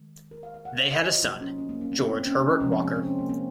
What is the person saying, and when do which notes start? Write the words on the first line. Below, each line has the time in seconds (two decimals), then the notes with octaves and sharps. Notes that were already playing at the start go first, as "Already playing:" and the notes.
They had a son, George Herbert Walker.
Already playing: D#3 G#3
0.31 A#4
0.43 F5
0.54 F5
0.65 F#5
0.89 C#5
0.98 C5
1.05 D#5
1.15 F4
1.23 C3 F#3 A#3 D#4
1.41 C#4
1.58 C#4
1.69 A#3
1.81 C#4
1.92 C4
2.03 C4
2.15 C4
2.27 C#4
2.38 D#4
2.50 C#4
2.60 C3 F3 G#3 C#4
2.72 C4
2.84 C4
2.95 C4
3.07 C#4
3.19 A#3
3.29 C4